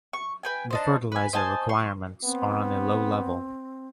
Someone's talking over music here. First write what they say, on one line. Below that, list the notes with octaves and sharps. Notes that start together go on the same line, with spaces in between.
The fertilizer requirements are on a low level.
C#6
B4 G5 G#5
D4 D#4 C5
B4 G#5
C5 D#5 G#5 A5
C6 C#6
B3 C4